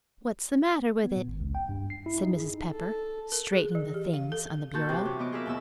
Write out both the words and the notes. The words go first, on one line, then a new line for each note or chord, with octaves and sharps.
"What's the matter with it?" said Mrs. Pepper straightening the things on the bureau.
B3
A#2
G#1
C#2
G5
G2
C7
E4
D#4
G#4
A4
A#4
G#4
E3
G4
F5
A4
A#2 F#4 A5 G6
C3 E3
E3 F#3
B3 D#5 D6
F4 G#4 A#4 B4 E5
D#2 B2 E6